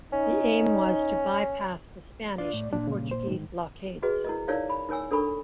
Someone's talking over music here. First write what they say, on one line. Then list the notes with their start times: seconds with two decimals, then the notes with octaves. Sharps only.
The aim was to bypass the Spanish and Portuguese blockades.
0.13 C#4 D#4
2.38 D4 F4 D5
2.53 A2
2.73 A#2 D4
2.87 G2 C#3
3.11 C5
3.27 G#2 D#3
4.02 F#4 G#4 B4 D#5
4.24 E4 A#4 D#5
4.48 D#4 E4 A#4 C#5 D5 F5
4.70 B5
4.89 D#4 A#4 C#5 G#5 E6
5.11 D4 A4 A#4 B5 C#6